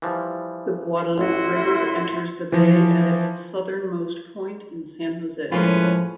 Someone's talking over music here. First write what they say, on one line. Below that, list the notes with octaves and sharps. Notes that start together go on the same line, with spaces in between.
The Guadalupe River enters the bay at it southernmost point in San Jose.
E3 F3 G3
A1 E4 F#4 C6
E3 F3
A2 F3 G#3 A#3 C#4 F4 B4